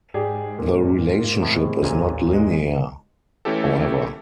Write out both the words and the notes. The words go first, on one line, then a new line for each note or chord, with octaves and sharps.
The relationship is not linear, however.
G#2 G4 G#4 D5
G2 A#2 C#3
F4
A2 G#3 C4
A1 D#2 A#2 G#5
G#3
E3 A3 C#4 E4 G4 A4